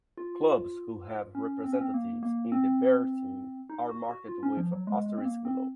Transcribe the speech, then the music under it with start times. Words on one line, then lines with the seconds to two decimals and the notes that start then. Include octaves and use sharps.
Clubs who have representatives in the Bears team are marked with an asterisk below.
0.17 F4
1.35 C#4
1.64 C4
1.72 C#4
1.81 C4
1.94 A#3
2.23 A#3
2.52 C4
3.70 D#4
3.89 F#4
4.09 F#4
4.28 F4
4.43 C#4
4.57 F3
4.72 F#3
4.87 G#3
5.06 G#3
5.18 C4
5.25 A#3
5.45 C4